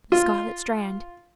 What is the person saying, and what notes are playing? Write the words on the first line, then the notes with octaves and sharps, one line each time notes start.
'The scarlet strand!
F4